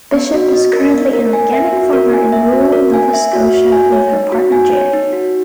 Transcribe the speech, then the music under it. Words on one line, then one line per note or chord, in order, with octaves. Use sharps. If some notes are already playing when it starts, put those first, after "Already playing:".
Bishop is currently an organic farmer in rural Nova Scotia with her partner Jan.
B3
F#4
D#5
A#4
B3
A#4
G#5
E5
F#4
A#4
G#5
E5
F#4
A#4
G#5
E5
F#4
F#4
G#5
C#5
D#4
F#4
G#5
C#5
D#4
F#4